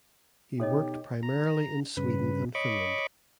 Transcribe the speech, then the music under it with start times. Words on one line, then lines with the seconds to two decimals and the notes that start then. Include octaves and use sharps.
He worked primarily in Sweden and Finland.
0.60 B2 D#4 G4 A4 C#5 D#5
1.23 A#5
1.97 G2 C#3 B4
2.55 C#5 D#5 B5 C#6 D6